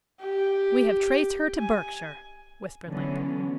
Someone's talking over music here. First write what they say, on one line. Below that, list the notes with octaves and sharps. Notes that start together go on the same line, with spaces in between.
"We have traced her to Berkshire," whispered Link.
G4
G#5
D3 E3 F#3 B3 C#4